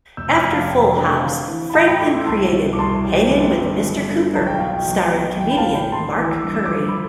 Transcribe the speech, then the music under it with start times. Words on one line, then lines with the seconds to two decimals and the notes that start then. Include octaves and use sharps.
After "Full House", Franklin created "Hangin' with Mr. Cooper", starring comedian Mark Curry.
0.17 F1 E6 G6
0.35 D6 F6
0.44 F2
0.52 F5 A5
0.69 F1 G5
0.96 D3
1.22 C4 F5
1.48 E3
1.70 B5
1.74 A2 F5 A5
1.87 G5 B5
2.00 A3 B5 D6
2.13 C6 E6
2.26 C2 A5 C6
2.52 B2
2.73 D6
2.79 C2 A5 C6
3.05 G3
3.30 G1
3.57 G2
3.84 G1
4.10 D3
4.36 B1 A5
4.47 G5
4.59 B2 F5
4.72 G5
4.88 B1 G5
5.14 B3
5.41 A1 G5
5.51 B5
5.57 F5 A5
5.67 A2
5.75 G5 B5
5.92 A1 A5 C6
6.18 E3 D6
6.30 E6
6.42 G2 D6
6.54 E6
6.65 F3 D6
6.77 E6
6.88 B5 D6